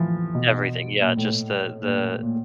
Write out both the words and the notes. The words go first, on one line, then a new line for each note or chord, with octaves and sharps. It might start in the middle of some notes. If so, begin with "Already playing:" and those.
everything, yeah, just the the
Already playing: E3 F3
B2
A#2
A2
A#2
A#2